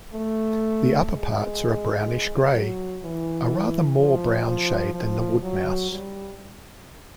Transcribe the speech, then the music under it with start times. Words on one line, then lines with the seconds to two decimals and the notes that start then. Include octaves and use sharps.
The upperparts are brownish-grey, - a rather more brown shade than the wood mouse.
0.13 A3
1.09 G#3
2.53 F#3
3.02 E3
3.99 F3
4.47 F3
4.94 F3
5.42 F#3
5.90 G3